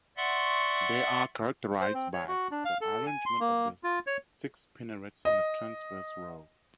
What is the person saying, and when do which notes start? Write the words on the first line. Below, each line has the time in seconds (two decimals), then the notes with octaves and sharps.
They are characterized by the arrangement of their six spinnerets in a transverse row.
0.17 D5 E5 F#5 C6 C#6
1.81 C5
1.94 C4
2.13 C#5
2.28 F#4
2.51 D4
2.65 F5
2.81 A4
3.07 G#5
3.26 C6
3.40 A#3
3.84 F4
4.07 C#5
5.25 D#5